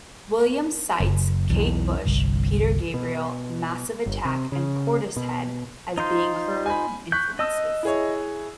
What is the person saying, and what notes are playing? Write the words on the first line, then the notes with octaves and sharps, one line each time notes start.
Williams cites Kate Bush, Peter Gabriel, Massive Attack, and Portishead as being her influences.
F#1
B1 E2
G1 C2
B2
G1
C3
C#3
B2
D#4 F4 C5
G#5 B5
C#6 F#6 G6 B6
D#5 A5 D#6 E6
E4 G#4 C#5